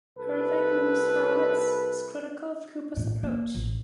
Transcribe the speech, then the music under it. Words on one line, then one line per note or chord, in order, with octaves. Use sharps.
Irving Louis Horowitz is critical of Kuper's approach.
C2 A4 B4
A#1 A2
A#3
A1